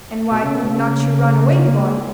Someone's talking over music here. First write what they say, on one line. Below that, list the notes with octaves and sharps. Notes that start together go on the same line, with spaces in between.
'And why could not you run away, boy?'
B2
C#3
B2
C#3
A#3
G#3